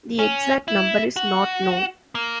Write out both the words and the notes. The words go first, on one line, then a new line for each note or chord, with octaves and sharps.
The exact number is not known.
C#4
E4
F#4
A#3